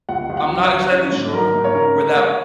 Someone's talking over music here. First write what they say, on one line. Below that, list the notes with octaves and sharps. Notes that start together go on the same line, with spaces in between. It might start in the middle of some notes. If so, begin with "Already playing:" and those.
I'm not exactly sure where that
C#2 F#5
C#2
F#5
F#3
C#5
F#3
C#4 C#5
G#2
F#3 A#4
G#2
C#5
C#3 A#4
G#3
A#4
G#3 C#5